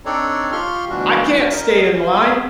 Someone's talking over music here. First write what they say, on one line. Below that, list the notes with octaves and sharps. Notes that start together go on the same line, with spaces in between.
I can't stay in line.
C4 D4 D#4 A4 C#5 D5
F4 G4 C6 C#6 F6
D2 B2 E3 G3 D4 F#4
A#4 D#5
C#4
B3 G#4